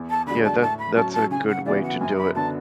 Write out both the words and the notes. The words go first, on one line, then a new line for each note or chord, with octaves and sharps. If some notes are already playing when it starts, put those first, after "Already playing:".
Yeah, that that's a good way to do it.
Already playing: E2
A5
D3 G#3 D4 F#4 B5
A5
A2 A5
B5
F#3 C#4 A5
A5
C#3 G#5
F#5
E3 B3 F#4 D5
F#5
F#2 G#5
B5
D3 F#3 B3 A5